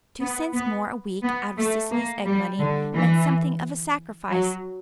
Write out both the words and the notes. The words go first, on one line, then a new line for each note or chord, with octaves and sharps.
Two cents more a week out of Cecily's egg money, meant something of a sacrifice.
B3
B3
B3
A3
A#3
G3
D3
E3
F#3